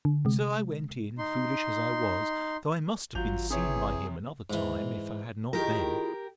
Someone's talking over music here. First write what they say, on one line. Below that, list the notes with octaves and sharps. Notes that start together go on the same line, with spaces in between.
So I went in, foolish as I was; though I must have been seen by him another time, if I had not then.
D3
C3 G#3
D#4 C6
G#1 F#3 F4 G6 F7
C3 E3 G#4 C#5
G#2 E3
D#3 E4 F4 G4 G#4 A#4